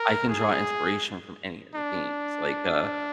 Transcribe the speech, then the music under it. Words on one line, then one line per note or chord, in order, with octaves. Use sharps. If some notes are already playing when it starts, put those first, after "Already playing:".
I can draw inspiration from any of the games, like, uh
Already playing: A#4
G#4
D4